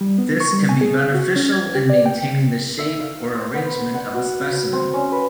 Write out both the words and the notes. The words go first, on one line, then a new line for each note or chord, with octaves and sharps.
This can be beneficial in maintaining the shape or arrangement of a specimen.
G3
B3
C#6
G3
G#5
G#4
F#4
C#4
G#6
G4
D5
G5
E5
F5
C5
B3
F#5
F#4
C#5
C4
C#4
B4